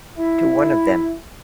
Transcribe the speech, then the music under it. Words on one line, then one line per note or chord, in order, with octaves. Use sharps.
To one of them.
E4